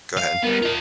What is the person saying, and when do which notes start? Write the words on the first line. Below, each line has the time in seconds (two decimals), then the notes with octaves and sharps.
go ahead.
0.17 F5
0.43 G3 B3 A#4
0.62 F4 D#5